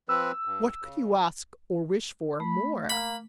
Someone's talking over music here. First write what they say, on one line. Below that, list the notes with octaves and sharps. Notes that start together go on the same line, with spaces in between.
What could you ask, or wish for, more?
F3 C4 B4 E6
G2
C#3
A3 B5
A#3 B5